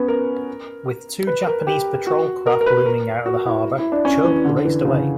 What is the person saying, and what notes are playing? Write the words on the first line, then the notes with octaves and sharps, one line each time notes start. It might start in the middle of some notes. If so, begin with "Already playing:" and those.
With two Japanese patrol craft looming out of the harbor, "Chub" raced away.
Already playing: B3 C#4
A#4
B4
A#4
G4
F#4
A#4
A#4
B4
A#4
F#4
E4
E4
D4
C#4
E3
D3
E3
C#3